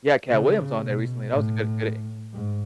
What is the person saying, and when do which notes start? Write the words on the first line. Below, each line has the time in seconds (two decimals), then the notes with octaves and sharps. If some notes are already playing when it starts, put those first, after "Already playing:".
He had Katt Williams on there recently, that was a good good e
0.29 C#3
0.80 B2
1.31 A2
2.33 G#2